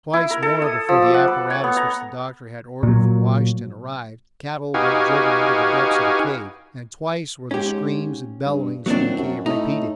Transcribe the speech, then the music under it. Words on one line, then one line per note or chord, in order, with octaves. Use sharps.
Twice more before the apparatus which the doctor had ordered from Washington arrived cattle were driven into the depths of the cave, and twice were the screams and bellowings from the cave repeated.
E4
A#4
A4
D#6
F3
D6
F#5
B4
C#5
B3
A#5
A#2 F#3
D#4 F#4 G4 B4 F5 G#5
G#2 C#4 G4
G2
D#1 F#3 C4 D4
F#2
A2 D#4